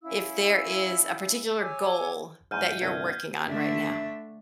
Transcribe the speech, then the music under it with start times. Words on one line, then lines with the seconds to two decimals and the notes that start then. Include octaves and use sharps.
if there is a particular goal that you're working on right now?
0.03 C#4 E4 F5 E6
1.59 C#5 G#5 D6 E6
2.51 E2 G#2 F6 G6 D#7
2.82 G1 C2 G#6
3.49 D3 A3 D4 E5